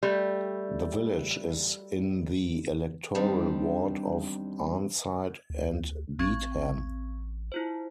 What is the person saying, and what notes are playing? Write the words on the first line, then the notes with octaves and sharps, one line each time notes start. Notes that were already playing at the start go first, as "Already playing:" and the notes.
The village is in the electoral ward of Arnside and Beetham.
G3 A3
E2 D#3 G3 C4 D4
D2
A1 C4 C#6 G#6
E4 F4 C5